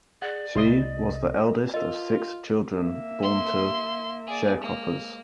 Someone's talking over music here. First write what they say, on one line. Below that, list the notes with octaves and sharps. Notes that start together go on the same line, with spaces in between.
She was the eldest of six children born to sharecroppers.
G#4 D5 F#5
C2 C3 G#3 E4 D#5 C6 D#6
F4 A#4 D#5
A#3 E5
C6
G#4 D5
G#3 A#3